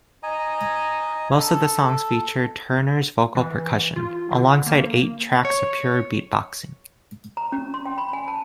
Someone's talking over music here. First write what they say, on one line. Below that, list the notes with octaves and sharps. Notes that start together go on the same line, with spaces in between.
Most of the songs featured Turner's vocal percussion, alongside eight tracks of pure beatboxing.
D#5 G#5 A#5
A4
E3
F4
D3
A#3
C#5
A#5
C#4
C6
G5
B5
G#5
A5